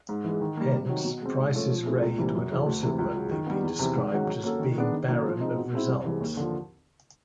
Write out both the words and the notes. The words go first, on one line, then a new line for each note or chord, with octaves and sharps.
Hence, Price's raid would ultimately be described as being "barren of results".
G#2
E3 G#3
D#3
G3 A#3
C3
D#3 F#3
B2
G#3 C4
G#2
F3 A3 C#4
F3
A3 C4 E4 G#4
C#2
C3 E3 G3 A#3
F#2
C#3 E3
D2
C3 E3
C#2
C#3 F#3
D#3
G3 B3
E2
C3 E3
G#2
D#3 G#3 C#4 F#4
F#3
A#3 C#4 F#4 A4
D#3
G#3 B3 D4
D#3
F#3 A#3 C#4 E4
F3
G#3 C4 D#4
B2
G#3 C4 E4
C2
C3 E3 G#3
D#2
D3 F3